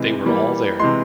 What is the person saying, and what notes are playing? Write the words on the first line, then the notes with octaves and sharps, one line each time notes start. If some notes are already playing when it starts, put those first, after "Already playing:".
They were all there.
Already playing: C3 E3 G#3
E3 G3 A#3
C3 E3 G#3 C6